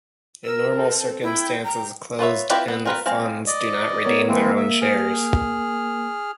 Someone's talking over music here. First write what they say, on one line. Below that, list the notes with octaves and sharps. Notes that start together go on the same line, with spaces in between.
In normal circumstances, closed-end funds do not redeem their own shares.
A#4 E6
C4 A4
E4 G5
A#5
F4 B4 C#5 E5
C4 E4 F4 G4 B4
B3
C4 F4 A#4 B4
G#3 C4 F5
D5 D#5
B3 A#4 C#5
E3 G#3 A#3 C4
E5
G#4 F6